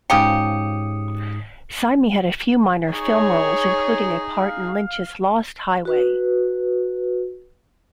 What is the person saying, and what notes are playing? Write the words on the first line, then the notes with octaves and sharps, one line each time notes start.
Syme had a few minor film roles including a part in Lynch's "Lost Highway".
G#2 C#3 F3 G4 D#6 C#7
D#4 G#4 C#5
F5
F#4 B4